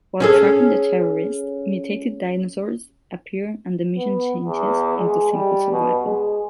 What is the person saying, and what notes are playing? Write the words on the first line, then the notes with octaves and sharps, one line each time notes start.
While tracking the terrorists, mutated dinosaurs appear and the mission changes into simple survival.
C#4 G#4 A4
B3
E2
G#3
G3
B2
G#3